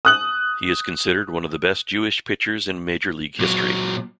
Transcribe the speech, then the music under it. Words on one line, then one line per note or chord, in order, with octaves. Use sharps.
He is considered one of the best Jewish pitchers in major league history.
D#6 F#6 F#7
A#2 F#3